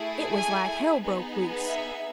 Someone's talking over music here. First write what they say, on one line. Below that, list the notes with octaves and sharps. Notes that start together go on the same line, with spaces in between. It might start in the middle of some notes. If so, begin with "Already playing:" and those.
It was like hell broke loose.
Already playing: A3 E4 G#4
G#5
B3 D#4 G#4
E5